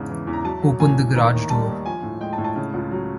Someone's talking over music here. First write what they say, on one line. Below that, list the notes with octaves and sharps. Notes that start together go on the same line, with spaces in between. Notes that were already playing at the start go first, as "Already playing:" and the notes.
Open the garage door!
Already playing: E2 G#2 C#3
E3
E2
A#5
F#3 A5
F#3
A2 G#5
A2
D#3 A#5
D#2
A#5
G3 A5
D#2
F3 G#5
A2
G#3 G5
A5
A2
A5
C#3
C#2
F#3